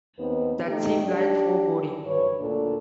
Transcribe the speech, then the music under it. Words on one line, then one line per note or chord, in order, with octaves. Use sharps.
That seemed like foreboding.
D#2 B3 C4 D#4 B4
A3 D#4 G4
D4 G4
G2 B4 C#5
D2 A#2 D4 A4